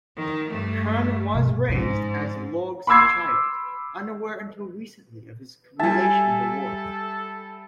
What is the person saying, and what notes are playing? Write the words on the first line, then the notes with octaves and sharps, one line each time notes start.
Kurn was raised as Lorgh's child, unaware until recently of his relation to Worf.
D#3
G2 A3
B2
G#2 F3 C#4
B5 C6 D6 E6 G#6 C7
G3 A4 E5 G#5 A5